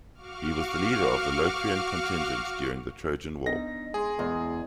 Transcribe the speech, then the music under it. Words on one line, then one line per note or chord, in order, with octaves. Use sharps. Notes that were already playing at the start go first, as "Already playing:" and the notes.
He was the leader of the Locrian contingent during the Trojan War.
F#4 F5 C#6 D6 F6
B3 D4 D#4 A#6
G#3 G#4 G#5 C6
E2 G#3